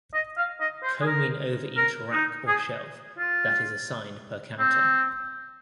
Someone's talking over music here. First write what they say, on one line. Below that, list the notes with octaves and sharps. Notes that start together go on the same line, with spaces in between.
Combing over each rack or shelf, that is assigned per counter.
D#5
F5
D#5
C5
G#4
A#4
A#4
D#4
G#4
F4
C4